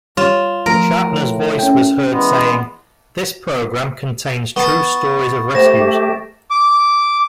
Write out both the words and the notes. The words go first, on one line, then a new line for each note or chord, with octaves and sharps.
Shatner's voice was heard saying: This program contains true stories of rescues.
G3 F4 C#5 E7
F3 A3 A#4
A2
C#4 G5
E2 G#3 B3
B3 A5 C#6 A6
A3 G4 C5 A#6 E7
D6